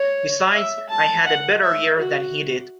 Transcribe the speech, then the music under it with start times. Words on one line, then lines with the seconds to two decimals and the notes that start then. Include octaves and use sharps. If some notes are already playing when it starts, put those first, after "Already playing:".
Besides, I had a better year than he did.
Already playing: C#5
0.53 E5
0.90 A5
1.26 F#5
1.62 E5
1.98 F#4